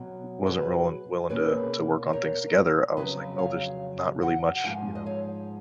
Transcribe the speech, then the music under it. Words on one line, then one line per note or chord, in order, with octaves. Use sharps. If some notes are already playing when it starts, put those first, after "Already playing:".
wasn't rolling willing to to work on things together, I was like, "Well, there's not really much," you know,
Already playing: B2 F#3 C#4
G#4 B4
B2 A#3 C#4 G#4 B4
A#4 C#5
F2 C#3 F#3 B4 D#5
C#5 F5
D#5 F#5
G#2 F3 G#3 F5 G#5
D#5
C#5 F5